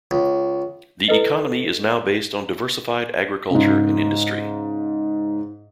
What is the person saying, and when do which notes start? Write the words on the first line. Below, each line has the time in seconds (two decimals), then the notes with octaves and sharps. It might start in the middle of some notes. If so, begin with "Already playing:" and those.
The economy is now based on diversified agriculture and industry.
0.11 C#2
1.08 E4 A4 B4 D#5
3.50 G#2 C#3